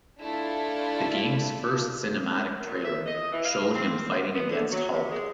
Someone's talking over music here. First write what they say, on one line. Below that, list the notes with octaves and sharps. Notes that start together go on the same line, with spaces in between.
The game's first cinematic trailer showed him fighting against Hulk.
A3 D4 E4 F4 A4
A#2
E5
D#5
E3
F5
C4
B3
D3
F#3
C3
G#3